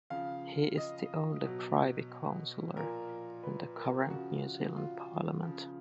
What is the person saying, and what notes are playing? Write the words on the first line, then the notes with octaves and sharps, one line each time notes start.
He is the only Privy Councillor in the current New Zealand parliament.
C#3 F3 F5
D#5
B2 F#3
A#2 F3 A#4
B4
A#4
C#3 F3 F#4
F4
C#3 F3